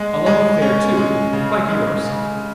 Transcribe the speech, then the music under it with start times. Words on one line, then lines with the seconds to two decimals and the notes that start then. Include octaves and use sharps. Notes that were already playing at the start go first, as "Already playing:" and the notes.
A love affair too--like yours.
Already playing: G#3
0.26 G#3
0.62 C#4
0.97 G#3
1.33 C#3
1.69 G#3
2.04 C#3